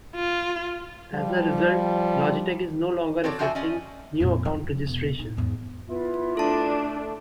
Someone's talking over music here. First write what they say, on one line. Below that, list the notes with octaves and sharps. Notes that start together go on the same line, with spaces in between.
As a result, Logitech is no longer accepting new account registrations.
F4
F3 G3
C4 F#4 A4 C#5 D5
F3 D4 F#4 E5 G5 G#5
C#4 D5 D#5 G#5
F2 A#2
F3
E1
D#4
E2 G#2
B3 E4 F4
A3 D4 A4 A5